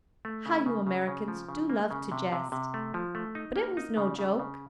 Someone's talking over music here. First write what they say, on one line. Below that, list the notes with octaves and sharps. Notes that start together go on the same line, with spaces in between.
How you Americans do love to jest.' But it was no joke.
A3
C#3
C#3
C#3
C#3
F3
C#3
A#3
C#3
C3
C3
C3
A3
F3
A3
D#4
A#3
D#4
C#3
C#3
C#3